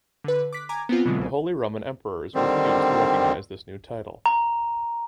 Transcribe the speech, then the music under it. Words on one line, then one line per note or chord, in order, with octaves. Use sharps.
The Holy Roman emperors refused to recognise this new title.
D3 B4
D6 F#6 B6
G#5 A#5 D6 G#6
B3 C4 F4
B2 D3 E3 F#3 G#3
C2 C#3
D3 D#3 G3 C4
A#5